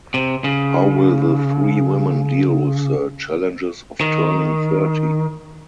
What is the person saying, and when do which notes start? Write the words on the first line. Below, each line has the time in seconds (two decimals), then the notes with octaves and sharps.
How will the three women deal with the challenges of turning thirty?
0.14 C3
0.44 C#3
4.01 D#3